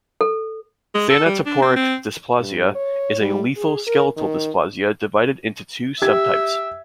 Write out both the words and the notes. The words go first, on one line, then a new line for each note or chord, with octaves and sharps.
Thanatophoric dysplasia is a lethal skeletal dysplasia divided into two subtypes.
A4
G#3
A4
G3
D4
C4
C4
G2
C#5
G3
G#4
A#4
D#3
G4 E5 G#6